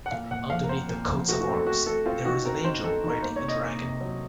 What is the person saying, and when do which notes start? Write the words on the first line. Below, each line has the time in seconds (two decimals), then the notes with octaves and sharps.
Underneath the coats of arms, there is an angel riding a dragon.
0.06 F#5
0.11 A#2 F5
0.31 A#2 F#5
0.50 F3 F5
0.64 A#4
0.69 C4 C5
0.89 A#2 A#4
1.09 F3
1.28 A3 F#4
1.41 F#4
1.48 C4
1.53 A4
1.66 A3 F#4
1.86 A3 A4
2.06 C4 F4
2.25 D#3 F#4
2.45 C4 A#4
2.64 D#3 C5
2.84 D#3 A4
3.04 D#3
3.09 A#4
3.22 A#3 C5
3.36 C#5
3.42 C3
3.48 D#5
3.62 A#3
3.81 C3
4.01 F#3